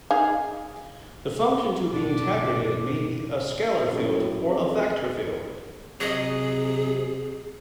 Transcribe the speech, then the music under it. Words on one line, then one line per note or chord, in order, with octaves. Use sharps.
The function to be integrated may be a scalar field or a vector field.
D#4 G#4 F5
G1 B2 D#3 D4 D6
F#2 A2
F2 G#4
C3 F#3 G#4 D#5